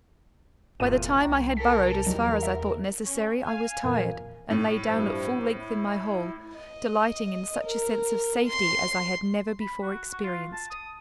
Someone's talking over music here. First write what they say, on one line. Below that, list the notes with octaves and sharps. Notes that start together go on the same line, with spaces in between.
By the time I had burrowed as far as I thought necessary, I was tired, and lay down at full length in my hole, delighting in such a sense of safety as I had never before experienced.
F1 B1 E2 A#2 D#7
C2 G5 A#5 C#6
A4 A#4 B6
E2 F#3 G3 D#4 A#4
E5
C#4
F5 G#5
F2 A#2 E3 A#4
A2
G2 F3 E4
E4
D#5
A#4
C6
B5
F#4
F#4
F4
A5
D#6